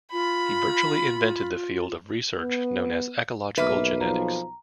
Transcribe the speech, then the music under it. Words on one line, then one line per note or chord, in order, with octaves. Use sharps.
He virtually invented the field of research known as ecological genetics.
F4 B5
B3
B1 A#3 B4 E5
F3 A#5